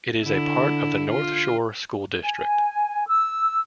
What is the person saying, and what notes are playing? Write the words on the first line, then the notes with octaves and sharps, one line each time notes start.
It is a part of the North Shore School District.
D3 E4
F4
G#5
E6